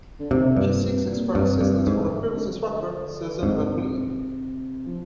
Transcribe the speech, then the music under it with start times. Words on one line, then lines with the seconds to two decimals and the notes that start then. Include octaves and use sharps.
She seeks expert assistance from a previous instructor, Susan van Bleeck.
0.19 D3
0.31 C3 D#3
0.44 D3
0.57 G2 A#2
0.70 C3
0.83 A#2
0.92 C3
1.02 A#2
1.35 G2 C3
1.61 G2
1.83 C3
1.87 G#2 D3
2.34 C3
2.38 D3
3.42 G#2 C3
3.55 A#2
3.68 C3
3.81 C3
4.87 F3